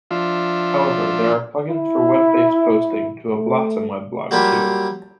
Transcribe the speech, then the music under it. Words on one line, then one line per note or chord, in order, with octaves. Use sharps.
However, there are plugins for web-based posting to a Blosxom weblog, too.
F3 D4 F4 E5
E4
A3
F#3 G3 A#3 F4 G4